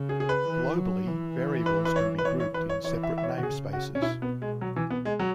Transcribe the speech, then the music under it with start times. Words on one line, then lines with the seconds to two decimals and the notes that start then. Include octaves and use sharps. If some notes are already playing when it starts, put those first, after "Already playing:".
Globally, variables can be grouped in separate namespaces.
Already playing: C#3
0.09 G#4
0.20 G#4
0.29 B4
0.48 E3
0.78 F#3
1.07 E3
1.66 B4
1.85 B4
1.96 C#5
2.18 B4
2.25 E3 C#5
2.40 C#5
2.54 E3 B4
2.69 C#5
2.84 E3 C#5
3.03 E5
3.18 E5
3.23 C#5
3.38 F#4
3.43 C#3 G#4
3.73 F#4
3.95 C#4
4.02 B2 E4
4.22 B3
4.42 G#3
4.61 F#3
4.76 E3
4.90 B3
5.05 G#3
5.19 F#3